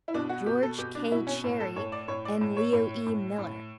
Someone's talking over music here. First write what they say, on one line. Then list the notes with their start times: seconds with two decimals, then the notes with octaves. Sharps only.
George K. Cherrie and Leo E. Miller.
0.08 E4
0.14 B2 D4
0.29 F#4
0.46 B2 G4
0.63 A4
0.78 B2 G4
0.95 D4
1.11 B2 E4
1.27 C#4
1.44 A2
1.60 A4
1.76 A2 C#5
1.92 D5
2.08 A2 C#5
2.25 D5
2.41 A2
2.57 C#5
2.73 A2
3.06 A2
3.38 A2